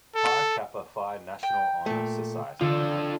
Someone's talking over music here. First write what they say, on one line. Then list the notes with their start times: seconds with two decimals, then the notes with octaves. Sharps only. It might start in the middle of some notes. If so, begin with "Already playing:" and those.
Phi Kappa Phi National Honor Society member.
0.15 A4
1.43 G5
1.86 A#2 A3
2.61 D3 F3 F4 A4